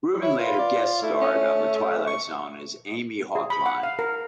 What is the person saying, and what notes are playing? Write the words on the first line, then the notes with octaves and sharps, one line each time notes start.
Rubin later guest starred on "The Twilight Zone" as Amy Hawkline.
E4 C#5
F4 B4
D5
A3 E4
C#4
C#6
G#4
B5
F#5
F5
A#4